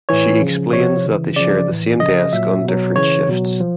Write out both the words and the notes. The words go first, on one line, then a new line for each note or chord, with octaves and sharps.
She explains that they share the same desk on different shifts.
A2 E3 C#5
C#3 F3
C3 F3 C#5
C#3 E3
C#3 F3 D5
A2 E3
C#3 F3 D#5
A#2 F#3 E5
B2 F#3
C#3 E3 C#5
B2 F#3
F3